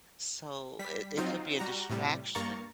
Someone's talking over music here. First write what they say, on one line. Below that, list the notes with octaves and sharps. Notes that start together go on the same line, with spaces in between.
So, it it could be a distraction,
G3 B6
F#3 C4 D#4 F4
G3 F#4 A#5
A2 C3 G3
G2 A#3 A#5 C#6 A6